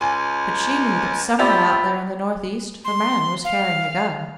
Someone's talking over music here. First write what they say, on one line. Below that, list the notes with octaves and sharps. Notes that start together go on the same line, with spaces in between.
But she knew that somewhere out there in the northeast her man was carrying a gun.
C#2 G#5
F3 G4 D5 E5 B5 A6 F7
C6
F5